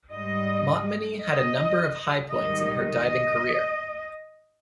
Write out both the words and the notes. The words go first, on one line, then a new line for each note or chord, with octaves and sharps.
Montminy had a number of highpoints in her diving career.
G#2 G3 D#5
D#5
G#2 D#3 G3 D#5
D#5